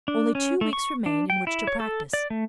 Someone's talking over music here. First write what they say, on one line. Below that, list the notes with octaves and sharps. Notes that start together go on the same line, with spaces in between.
Only two weeks remained in which to practise.
D4
C#4
A3
C#6
D4
G5
E4
C#5
A4
D5
A3